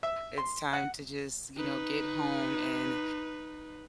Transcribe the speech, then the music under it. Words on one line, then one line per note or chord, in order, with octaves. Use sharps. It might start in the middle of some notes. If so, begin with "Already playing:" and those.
it's time to just, you know, get home and
E5
C6
F#5
D#4 B4